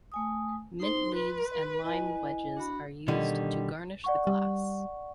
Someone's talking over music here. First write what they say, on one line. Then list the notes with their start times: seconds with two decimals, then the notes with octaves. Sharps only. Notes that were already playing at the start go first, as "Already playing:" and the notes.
Mint leaves and lime wedges are used to garnish the glass.
0.12 A3 G#5 D#6
0.80 D#4 C5 C6
1.15 B4 C6
1.84 E4 D#5 G#5
2.57 D4 F#4 B5
3.08 B2 D3 D#3 G3
4.04 D5 F#5 C#6
4.27 G3